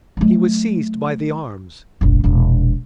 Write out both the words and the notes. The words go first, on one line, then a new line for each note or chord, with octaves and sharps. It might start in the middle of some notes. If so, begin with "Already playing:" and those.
He was seized by the arms.
F#3 A3
F1 A#1
E1 A#1